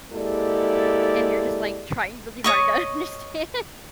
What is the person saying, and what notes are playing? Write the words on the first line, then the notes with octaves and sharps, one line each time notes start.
and you're just, like, trying really hard to understand.
G#3 A#3 E4 G4 A4 D5
C#5 D#5 C#6